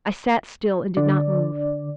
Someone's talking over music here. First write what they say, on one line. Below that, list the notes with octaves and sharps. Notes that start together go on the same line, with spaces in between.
I sat still and did not move.
D3 D5